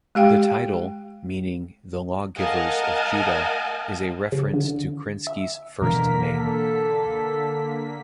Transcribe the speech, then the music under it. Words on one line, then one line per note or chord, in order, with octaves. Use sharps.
The title, meaning "The Lawgivers of Judah", is a reference to Krinsky's first name.
G#3 G4 F5 G5
A#4 D#5 F5 F#5 G#5 A5
C#3
D3
E5
B2 D3 E3 A#3 D4 A#4 B6
A4